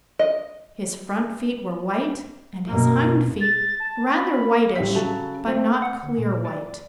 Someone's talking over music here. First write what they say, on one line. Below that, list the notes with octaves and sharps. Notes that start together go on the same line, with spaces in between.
His front feet were white, and his hind feet rather whitish, but not clear white.
D#5
F#2 B2 A#3
A6
A5
B5
A1 G3 E5 B6
C#3 F#3 F#4 A4 A5
C4
F#5
D2
A#2
D5